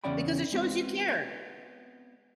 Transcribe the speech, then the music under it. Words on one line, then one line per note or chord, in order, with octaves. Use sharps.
Because it shows you cared.
E2 C#3 C#4 D5 G5 B5
G#3 B3 C4